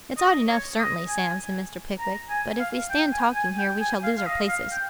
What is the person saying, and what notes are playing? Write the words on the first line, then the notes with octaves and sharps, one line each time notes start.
'It's odd enough, certainly, Sam,' said Mr. Pickwick; 'but if we stand talking here, we shall lose our places.'
D#5
C#5
D#5
G#5
A#5
G#5
F5
G5
G#5
G#5
G5
G#5
F5
F5
D#5
F5
G5